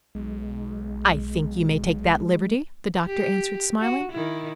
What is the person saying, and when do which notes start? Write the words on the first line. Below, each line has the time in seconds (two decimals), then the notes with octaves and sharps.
"I think you may take that liberty," the Doctor answered, smiling.
0.15 B1 G#3
3.06 G4
3.81 F#4
4.12 D#3 E4